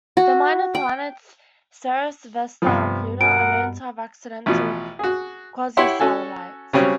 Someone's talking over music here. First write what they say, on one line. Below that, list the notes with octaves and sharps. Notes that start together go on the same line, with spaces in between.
The minor planets Ceres, Vesta, and Pluto are known to have accidental quasi-satellites.
F#4
G5
G2 C3 F3 B3 B5
B2 A#4 F#5 D7
A1 B2 F3
F#4 G#4
E4 G4 C#5 E5 F#5 C6
C#4 F#4 A4 G#5
C#3 F#3 G3 C4 C#4